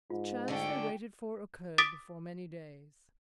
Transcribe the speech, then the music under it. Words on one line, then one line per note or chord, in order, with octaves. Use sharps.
The chance they waited for occurred before many days.
G#2 F4
D3 A3 C#4 D4 G5
D6 D#6 A6 B6 D7